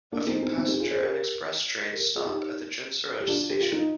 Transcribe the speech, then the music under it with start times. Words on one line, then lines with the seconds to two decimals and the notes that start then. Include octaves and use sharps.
A few passenger and express trains stop at the Chinsurah station.
0.12 A#3 D4
0.27 C4 D#4
0.42 C4 D#4
0.57 C4 D#4
0.68 D#4 G4
0.80 F4 G#4
0.91 G#4 C5
1.03 G4 A#4
1.92 G4 A#4
2.15 F4 G#4
2.26 D#4 G4
3.20 G4
3.28 D4 F4
3.50 G4
3.61 F4
3.72 D#4